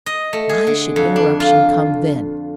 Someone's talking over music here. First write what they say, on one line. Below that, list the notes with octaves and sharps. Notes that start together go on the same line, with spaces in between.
Why should interruption come then?
D#5
A3
G#4
D3
F2
D4
F4